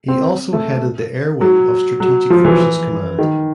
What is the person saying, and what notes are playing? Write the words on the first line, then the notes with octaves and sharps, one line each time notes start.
He also headed the Air Wing of Strategic Forces Command.
C4
A3
F#3
F#3
F3
E3
D#3